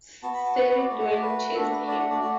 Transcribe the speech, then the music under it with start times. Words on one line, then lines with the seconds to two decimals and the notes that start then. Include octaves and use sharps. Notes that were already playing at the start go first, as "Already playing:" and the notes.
Ceridwen chased him.
0.23 B3 F#4 A5
0.34 B5
0.45 A5
0.55 F#5
0.67 F#5
0.72 B4
0.78 D5
0.89 A3 F#4 D5
0.99 F#5
1.11 D5
1.22 B4
1.54 A3 D4 F#4 A4
1.71 B4
1.88 D5
1.99 F#5
2.10 D5
2.20 A3 F#4 D5